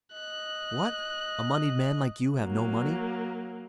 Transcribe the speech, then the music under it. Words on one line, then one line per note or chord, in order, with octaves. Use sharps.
"What! a moneyed man like you have no money?"
D#5 F#6
F#3 A#3